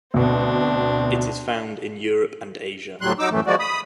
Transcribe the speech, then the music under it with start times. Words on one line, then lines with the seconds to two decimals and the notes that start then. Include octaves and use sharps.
It is found in Europe and Asia.
0.14 D2 B2 C4 D4
3.01 D2 A2 F#3 G3 C6 F#6
3.19 F#3 D#4 D6 E6
3.31 F#2 A2 E3 A3
3.47 F3 G#3 A#3 F#4 D5
3.59 B5 D#6